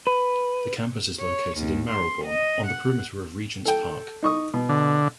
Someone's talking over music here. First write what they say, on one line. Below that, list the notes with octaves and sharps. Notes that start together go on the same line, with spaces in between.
The campus is located in Marylebone, on the perimeter of Regent's Park.
B4
C#5
D#2
C6
D#5
F#5
A4 G5
D#4 C#6 D#6
B2
D3